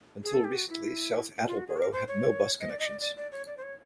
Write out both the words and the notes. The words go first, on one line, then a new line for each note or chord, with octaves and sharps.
Until recently, South Attleboro had no bus connections.
G#4
A4
G4
F#4
E4
F4
F#4
G#4
A#4
C5
C#5
D#5
D5
D#5
D5
D5
D5
C#5
D5
C5
C#5